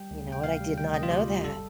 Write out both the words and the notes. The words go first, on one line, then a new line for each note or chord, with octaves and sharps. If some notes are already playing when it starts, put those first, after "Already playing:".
You know what? I did not know that.
Already playing: G3 G5
D2
C3 G5
D2 F5
G3
D2 G5
C3 D#5
F4
D2 G4
G3
G1 A4